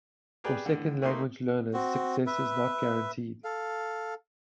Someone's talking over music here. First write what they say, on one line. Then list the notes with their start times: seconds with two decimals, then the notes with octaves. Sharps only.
For second language learners, success is not guaranteed.
0.44 G4 G#4 B4 D5 G5
0.66 A2 D3
1.02 A3 A#3 D#4 C6
1.74 C4 F#4
2.27 B4 E5
3.44 A4 F5